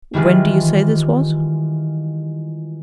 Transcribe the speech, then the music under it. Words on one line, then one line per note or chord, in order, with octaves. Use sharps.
"When do you say this was?"
D#3 E3 G3 G#3 F4